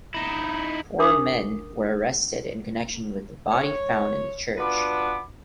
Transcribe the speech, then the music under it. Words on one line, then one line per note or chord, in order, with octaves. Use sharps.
Four men were arrested in connection with the body found in the church.
D#4 E4
D4 A#4 D6 D#6
C#5
B3 D4 F4 F#4 B4 D6